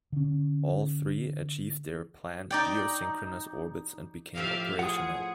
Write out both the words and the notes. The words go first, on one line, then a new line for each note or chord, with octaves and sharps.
All three achieved their planned geosynchronous orbits and became operational.
D3 C#4
D#4 D5 G5
A2 F3 G4 E5 F5
F4 G#4 F#5 D#6